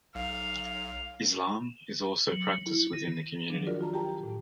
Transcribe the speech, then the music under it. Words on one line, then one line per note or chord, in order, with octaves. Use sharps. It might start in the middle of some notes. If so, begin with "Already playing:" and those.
Islam is also practiced within the community.
B1 F5
F#3
E4
D#3
D#3 F3 F#3 D4
F4 F#4 G#4 A#4 D5
F4 A5 A#5
G4 G5 A5 A#5
G4
A2